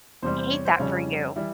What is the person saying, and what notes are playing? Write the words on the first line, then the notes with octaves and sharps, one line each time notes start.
I hate that for you.
E2 C3 G3 C5
C5
C#5
C5
F2 C#3 G3 C#4
E3 G3 E4